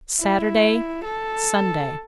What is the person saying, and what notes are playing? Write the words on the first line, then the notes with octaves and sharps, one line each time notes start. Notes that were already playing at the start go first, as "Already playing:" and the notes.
Saturday, Sunday.
E4
A4